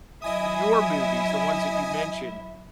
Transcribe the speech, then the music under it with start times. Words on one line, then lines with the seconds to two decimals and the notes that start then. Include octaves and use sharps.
your movies, the ones that you mentioned,
0.22 F#3 E4 D#5 E5 G#5 D#6